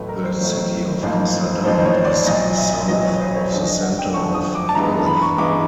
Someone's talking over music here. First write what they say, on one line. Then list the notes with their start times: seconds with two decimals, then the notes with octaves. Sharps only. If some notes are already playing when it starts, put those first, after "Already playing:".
The city of Amsterdam is south of the center of Perth.
Already playing: A1 A2 F#3 A3 B4
0.09 A#4
0.24 C5
0.40 A1 A2 F#3 A3
1.02 A1 G#2 F3 A#3
1.64 A1 G#2 F3 A#3 C5
1.85 C#5
2.05 D5
2.26 B1 A#2 F#3 D#5
2.57 E5
2.73 D#5
2.88 B1 A#2 F#3 D#5
3.05 C#5
3.13 B4
3.20 C5
3.36 C#5
3.51 F#2 D3 F3 D5
3.67 D#5
3.82 F#5
3.98 G5
4.13 F#2 D3 F3 C#6
4.34 D#6
4.55 D6
4.69 A5
4.75 G2 E3 G#3 B3 A#5
4.91 A#5
5.07 B5
5.22 C#6
5.38 G2 E3 G#3 B3 D6